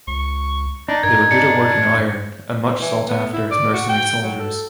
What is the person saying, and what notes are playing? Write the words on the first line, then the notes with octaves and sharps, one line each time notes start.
They were good at working iron and much sought after as mercenary soldiers.
C#2 C#6
D4 D#4
G2 A#4 G#6
D4 C#7
E3
B3
E4
D5
F#4
G5
F#3
A4